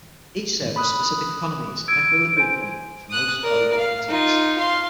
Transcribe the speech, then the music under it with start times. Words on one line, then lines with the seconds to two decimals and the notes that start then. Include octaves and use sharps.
Each server has specific economies and equilibrium point for most valuable items.
0.76 B5 D#6 F#6
1.88 E6 G#6 D7
2.37 C5 G#5
3.10 D#6 F#6
3.43 A#4 D5
3.77 F5
4.09 D#4 F4
4.58 F5 C6